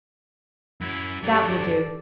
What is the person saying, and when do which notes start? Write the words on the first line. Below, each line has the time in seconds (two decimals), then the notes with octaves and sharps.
That will do.
0.81 F#2 F#3 E4
1.23 G2 F#3 G4 A4 D5